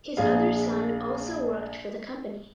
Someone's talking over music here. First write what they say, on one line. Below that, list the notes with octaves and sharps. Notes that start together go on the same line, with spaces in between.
His other son also worked for the company.
A#1 G#4 F5